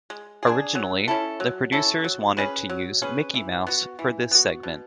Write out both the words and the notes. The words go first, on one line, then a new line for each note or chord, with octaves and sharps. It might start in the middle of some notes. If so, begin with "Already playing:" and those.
Originally, the producers wanted to use Mickey Mouse for this segment.
G#3
D4 G#4
F#3
C#4 E4 A4
F#3
C#4 E4 A4
F#3
C#4 G#4 B4
F#3
C#4 G#4 B4
E3
B3 F#4
E3
B3 F#4
B2